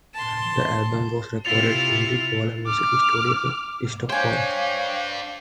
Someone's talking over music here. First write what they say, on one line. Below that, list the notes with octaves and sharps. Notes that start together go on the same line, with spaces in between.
The album was recorded in the Polar Music Studios in Stockholm.
A5 C6
C3 E4 F4 A6 C#7 F7
D6 F6
D4 C5 C#5 F5 G5 G#5